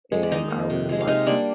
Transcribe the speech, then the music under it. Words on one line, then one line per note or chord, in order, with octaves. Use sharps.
and, I was just like
G#3
D5
D#3 D#4 D#5
A#3
C3
F3 G#3
F5
C3 D#4 D#5
G3 A#3 D4 D5